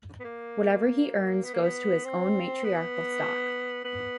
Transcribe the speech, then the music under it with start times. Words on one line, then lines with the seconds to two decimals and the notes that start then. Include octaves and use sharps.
Whatever he earns goes to his own matriarchal stock.
0.20 B3
0.24 A#3
1.44 B3
1.54 A#3
1.63 B3
2.05 C4
2.64 B3
3.84 B3